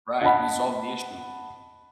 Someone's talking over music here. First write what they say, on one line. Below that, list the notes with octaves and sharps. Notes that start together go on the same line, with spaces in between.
Right, resolved the issue.
D#5 F#5 A5 B5